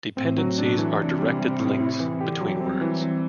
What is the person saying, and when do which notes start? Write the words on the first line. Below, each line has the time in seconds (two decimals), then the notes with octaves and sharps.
Dependencies are directed links between words.
0.17 A2 C4
0.38 F#3
0.58 A2 D4
0.78 E3
0.98 C3 D4
1.19 G3
1.40 G3
1.59 A2
1.80 E4
2.00 E3
2.20 D3 G4
2.41 F#3
2.60 G3 C4
2.81 E3
3.02 C4